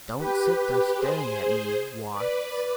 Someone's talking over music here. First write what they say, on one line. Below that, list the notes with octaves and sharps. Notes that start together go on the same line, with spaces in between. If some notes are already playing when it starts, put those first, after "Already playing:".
Don't sit there staring at me, Watts.
G4 B4
G#4 C5
B4 D5